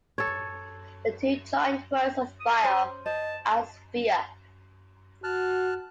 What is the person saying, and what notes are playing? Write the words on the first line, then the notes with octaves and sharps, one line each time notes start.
The two joined words are "bio" and "sphere".
A4 C#5
D#6
C#4 C5
C5 D#5 A5
F#4 A5 F6 F#6